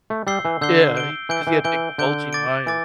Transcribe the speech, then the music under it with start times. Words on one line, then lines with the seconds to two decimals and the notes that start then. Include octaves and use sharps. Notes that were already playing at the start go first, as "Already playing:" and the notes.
yeah, he 'cause he had big bulging eyes,
0.10 A3
0.27 G3 E6 G6 C7 G7
0.45 E3
0.61 D3 E6 G6 C7 G7
0.95 G6 D7 G7
1.29 E3 G6 D7 G7
1.47 E3
1.64 E3 G6 D7 G7
1.98 D3 G6 D7 G7
2.33 D6 A6 D7
2.66 E3 D6 A6 D7